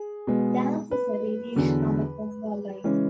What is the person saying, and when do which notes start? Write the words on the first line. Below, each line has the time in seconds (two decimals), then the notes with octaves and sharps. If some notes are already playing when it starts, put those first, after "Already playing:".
The dance is a variation on a conga line.
Already playing: G#4
0.27 B2 G#3 B3
0.91 B4
1.55 E2 D3 F#3
2.84 C#3 E3 G#3 C#4